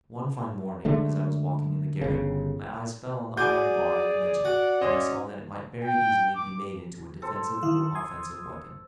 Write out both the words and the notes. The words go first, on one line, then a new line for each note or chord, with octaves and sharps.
One fine morning, as I was walking in the garret, my eyes fell on the iron bar I have mentioned, and I saw that it might very easily be made into a defensive or offensive weapon.
D3 G#3 A3
G1 C#3
F#4 G#4 D5 G#5 D6 G6
F#4 F#5
C#4 D#5 C6
G5
D6
A4 C5
D#3 E4 F5
C6 D#6 G#6